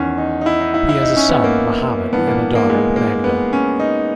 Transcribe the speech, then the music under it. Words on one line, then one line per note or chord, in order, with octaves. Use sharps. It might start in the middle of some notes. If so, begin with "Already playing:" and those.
He has a son, Mohammad, and a daughter, Magda.
Already playing: E2 D#3 C#4
D#4
D#4
E4
D#4
E4
E4
D#4
C#4
B3
A#3
G2 E3 B3
A#3
A#3
G#3
A#3
B3
C#4
D#4